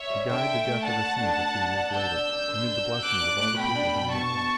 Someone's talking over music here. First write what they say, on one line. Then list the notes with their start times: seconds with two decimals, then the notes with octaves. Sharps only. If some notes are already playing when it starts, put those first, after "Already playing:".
He died the death of a saint a few years later, amid the blessings of all the people whom he had helped.
Already playing: C#5 E5
0.10 G3
0.29 D3 E5 G5
0.47 A4
0.65 A3
0.84 D4 F#5 A5
1.02 A3
1.21 D4
1.39 D4
1.57 G4
1.75 D5
1.93 D4 E6 G6
2.12 D5
2.30 G3
2.48 D3
2.66 D4
2.85 F#4
3.02 F#4 D6 F#6
3.21 D4
3.38 A3
3.57 B2 G5 B5
3.75 D4
3.94 B2
4.12 B2 A5 C#6
4.30 B2